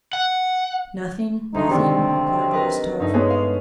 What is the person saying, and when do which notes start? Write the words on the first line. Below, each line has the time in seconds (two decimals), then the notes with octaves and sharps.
"Nothing, nothing," replied Rostov.
0.13 F#5
1.54 D2 D#4 C6
1.70 C3 D#3 C4 D5 D6
2.51 A#4 B4 D#5
3.00 G2 A3 D#4
3.14 G#3 B3 G#4 C#5
3.30 F5